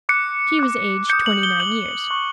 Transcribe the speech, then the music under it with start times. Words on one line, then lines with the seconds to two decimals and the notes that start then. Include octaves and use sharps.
She was aged twenty-nine years.
0.09 D6 F#6 C#7
0.59 D6 F#6
1.09 G6 C#7
1.13 D#6
1.26 F#7
1.43 G7
1.60 D#6 G6 F#7
2.10 C#6 F#6